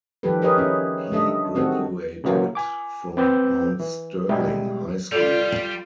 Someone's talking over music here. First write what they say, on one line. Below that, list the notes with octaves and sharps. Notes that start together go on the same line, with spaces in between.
He graduated from Mount Sterling High School.
D#3 F3 G3 G4 A4 B4
G4 G#4 A#4 B4 C#5 D#5
C#4 E4
D3 G3 D4 A4 D#5 E5
D#3 C4 F#4 G#4 A4
C#3 E3 F#3 A#3
G#5 D6
C4 B4 D6 E6 G6
E3
B2 G3 G#3 E4 G4
G3 F4 A4 D5